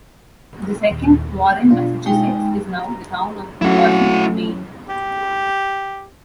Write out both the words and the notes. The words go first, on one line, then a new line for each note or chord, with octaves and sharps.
The second "Warren, Massachusetts" is now the town of Warren, Maine.
D#2 A#2
B2 D4 F4
G#3 D#4 G5
A#5
F#3 A3 C#4 E4 F#4
G4